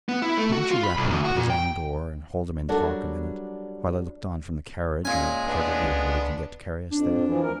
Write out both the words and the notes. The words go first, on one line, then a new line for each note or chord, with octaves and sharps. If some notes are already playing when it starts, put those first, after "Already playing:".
Couldn't you rap him up at his own door, and hold him in talk a minute, while I looked on from the carriage or whatever vehicle we can get to carry us there?
B3
E4
A3
F#4
F4
B5
B1
D2
F#4
A#2
G5
F#3 G3 D4 F#4 A4 A#4
A#2 G#3 C#4 G#5
B3 D4
C#2
F2 D4
E3 F3
D2 A#4